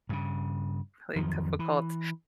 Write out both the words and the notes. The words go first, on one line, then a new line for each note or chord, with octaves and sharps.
really difficult.
G2 C#3
F2 D#3 F3 F#3
E3